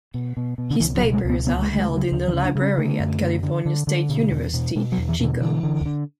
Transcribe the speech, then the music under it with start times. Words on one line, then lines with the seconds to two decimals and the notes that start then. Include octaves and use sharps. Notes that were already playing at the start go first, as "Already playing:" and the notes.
His papers are held in the library at California State University, Chico.
0.14 B2
0.37 B2
0.58 B2
0.70 D3
0.80 C#2 E3
0.97 F#3
1.03 B2
1.13 G#3
1.25 C#2 B3
1.46 D2 B3
1.62 G#3
1.68 D2
1.79 G#3
1.90 C#3
1.96 F#3
2.12 D2 D3
2.28 E3
2.33 C#3
2.45 D4
2.55 C#3
2.61 C#4
2.78 D3 A3
3.00 F#2
3.21 D3
3.43 D3
3.65 D3
3.87 D3
4.09 B2
4.31 E2
4.53 B2
4.75 B2 G#3
4.92 F#3
4.98 E2
5.09 E3
5.20 B2 D3
5.41 D3 E3
5.63 D3
5.86 D3